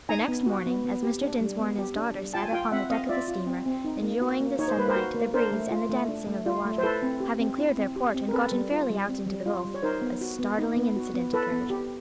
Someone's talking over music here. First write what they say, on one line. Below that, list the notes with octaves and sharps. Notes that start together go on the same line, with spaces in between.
The next morning, as Mr. Dinsmore and his daughter sat upon the deck of the steamer, enjoying the sunlight, the breeze, and the dancing of the water, having cleared their port and gotten fairly out into the gulf, a startling incident occurred.
D#4 G#5 A#5
B3
F#4
B3
B3
G4
D4
G3
B3
G4
D4
G3
F4 G5 A5
G#5
F4 F5 G5
C4 E5 F#5
C4 D#5 F5
F4 D5 E5
F4
C4
C4
D#4
A#3
F#4
A#3
D#4 C#5
C5
A#3 B4
A#4 C5
F#4
A#3
D4 A#4 C5
A3
F4
A3
D4
A3
F4
A3
C5
E4 A4 B4
C4
G4
C4
E4
C4
G4
C4
A#4
C4 A4 B4
G3
F4
G3
C4
G3
F4
G3
C#5
D#4 A#4 C5
B3
F#4
B3
D#4
B3
F#4
B3
E4 A4 B4
B3
G4